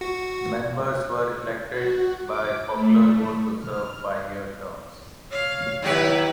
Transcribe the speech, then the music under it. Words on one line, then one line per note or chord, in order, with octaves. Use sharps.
Members were elected by popular vote to serve five-year terms.
F#4
F#4
D6
A3
F6
C#5 F5
D#2 F#3 E4 G4 B4